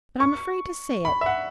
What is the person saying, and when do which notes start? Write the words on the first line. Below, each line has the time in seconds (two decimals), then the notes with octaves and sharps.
But I'm afraid to say it.
0.20 C#6
1.05 B5
1.21 E5
1.26 F#5